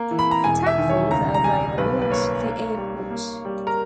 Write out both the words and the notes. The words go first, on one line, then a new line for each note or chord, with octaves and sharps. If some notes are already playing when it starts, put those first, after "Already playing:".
Taxis are available at the airport.
Already playing: A#3
E3
B5
A#5
E1 G#5
E5
D#3
C#5
C#2 A#5
A#5
G3 G#5
B1 B4
B4
A#3 C#5
A#3
G3
A#3
G3
A#4